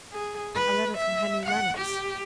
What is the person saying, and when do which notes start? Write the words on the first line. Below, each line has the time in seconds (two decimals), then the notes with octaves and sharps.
'A letter from Henry Lennox.
0.12 G#4
0.55 B4
0.97 E5
1.46 F#5
1.77 G4